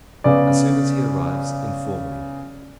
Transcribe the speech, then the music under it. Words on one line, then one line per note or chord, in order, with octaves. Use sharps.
As soon as he arrives inform me.
C#3 B3 D5